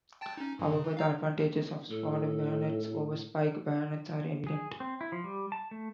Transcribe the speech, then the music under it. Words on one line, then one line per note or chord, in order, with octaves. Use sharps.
However, the advantages of sword bayonets over spike bayonets are evident.
G5 A5 A6
C#4 D#4
G2 D3
C#3
E3
F5 A#5 E6
A2 A4
G#4
C4
E4
F3
G3
A5
A3